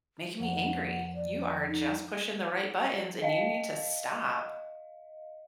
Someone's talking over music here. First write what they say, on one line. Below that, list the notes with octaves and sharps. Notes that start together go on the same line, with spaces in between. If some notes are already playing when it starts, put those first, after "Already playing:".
making me angry, you are just pushing the right buttons and you need to stop."
F2 F#5
D5
D#4
D#5 F5